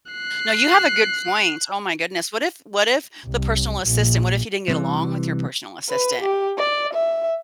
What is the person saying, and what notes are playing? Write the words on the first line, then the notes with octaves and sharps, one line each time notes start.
no, you have a good point. Oh, my goodness. What if what if the personal assistant what if you didn't get along with your personal assistant?
F#6 C7
C2
A#1
C2 C3 E3
B4
G4
D5
E5